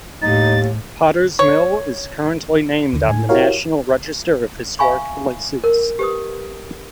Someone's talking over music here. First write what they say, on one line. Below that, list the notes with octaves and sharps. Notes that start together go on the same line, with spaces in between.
Potter's Mill is currently named on the National Register of Historic Places.
D#2 A2 D#4 A6
C#5
D#2 D3
A2 G#5
E4 F#4 G4 A#4 C#5 F5
E5 F5 G#5 B5 C#6
A#4
G4 B4 D#6